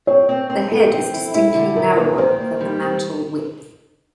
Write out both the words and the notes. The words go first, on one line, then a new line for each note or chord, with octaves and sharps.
The head is distinctly narrower than the mantle width.
C4 C#5
C4
C4
C4 A4
C4
E4
E4
D3
D#3 A#4
A#3 B4
D#3 C5
A#3
G3
C4